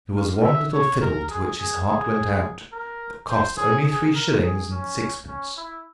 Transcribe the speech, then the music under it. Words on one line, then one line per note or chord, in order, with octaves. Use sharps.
There was one little fiddle to which his heart went out, that cost only three shillings and sixpence.
F5
E5
C#5
A#4
G#4
G#4
G#4
A#4
C5
G#4
G#4
A#4
G#4
C#4
C#4
E4